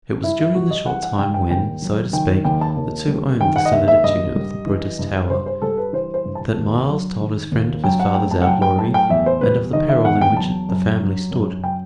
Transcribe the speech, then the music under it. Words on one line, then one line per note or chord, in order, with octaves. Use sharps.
It was during the short time when, so to speak, the two owned the solitude of the Brutus Tower, that Myles told his friend of his father's outlawry and of the peril in which the family stood.
G2 E4
E4
G3 F#4
D#5
E3 F#5
F#5
G2 G5
G5
D#2 G5
F#3
D#3 G5
D#2 G5
A5
D#2
G3
D#3 G5
F#5
D#5
D#2 E5
E5
G2 D#5
G3
E3
G2
G2 C5
C5
G3 A4
B4
E3 C5
C5
G2
A5
D#2
F#3
D#3
D#2
F#3 G5
F#5
A2 G5
A5
F#5
F#3 G5
G5
A2 A5
G5
E2 E5
C5
G3 B4
D#3 D#5
E5
E2 F#5
G5
F#3 A5
F#2
F#3
F#2
F#3 G5